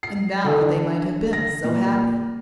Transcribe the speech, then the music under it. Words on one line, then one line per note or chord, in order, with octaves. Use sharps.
And now they might have been so happy!
C7
D3
D4
A#6
A#2